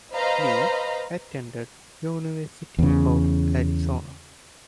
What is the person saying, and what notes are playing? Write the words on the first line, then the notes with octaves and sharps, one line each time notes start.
Lee attended University of Arizona.
B4 C5 D#5 F5 A#5 B5
E2 C#3